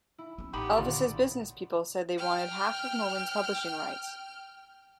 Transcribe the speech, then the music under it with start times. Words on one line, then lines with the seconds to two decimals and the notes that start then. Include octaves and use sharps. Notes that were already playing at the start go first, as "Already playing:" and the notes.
Elvis's business people said they wanted half of Moman's publishing rights.
0.18 E4
0.38 B3 C#4
0.53 A1 D#4 G4 F#5 B5 D#6
0.77 D#2 A#2 D3 F4 D5
2.18 G5 F6